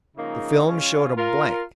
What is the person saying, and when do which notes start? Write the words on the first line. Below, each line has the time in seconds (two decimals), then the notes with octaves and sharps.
The film showed a blank.
0.17 C#3 F3 G#3 A#3 D#4
0.67 C#4 F4
1.17 F4 A#4